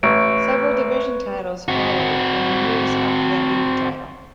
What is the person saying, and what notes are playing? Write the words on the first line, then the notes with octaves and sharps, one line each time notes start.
Several division titles followed in the years after that league title.
A1 B4 C#5 D7
C4 F#4